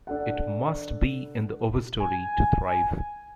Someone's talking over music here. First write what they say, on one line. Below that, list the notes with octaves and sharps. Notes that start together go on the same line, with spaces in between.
It must be in the overstory to thrive.
D4 A4 F#5
G#5